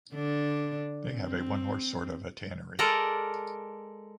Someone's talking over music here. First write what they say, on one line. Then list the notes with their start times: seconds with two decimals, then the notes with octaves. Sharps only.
They have a one-horse sort of a tannery.
0.14 D3 D4
1.16 C4
2.79 G#3 A4 A#4 D5